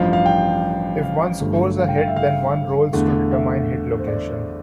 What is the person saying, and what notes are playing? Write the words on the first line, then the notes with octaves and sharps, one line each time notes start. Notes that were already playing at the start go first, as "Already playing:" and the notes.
If one scores a hit, then one rolls to determine hit location.
Already playing: A1 G2 F3 F5
F5
G5
F5
G1 G2 F3 A3
F5
G5
F5
E5
F5
E2 D3 A3
E5
C5
D5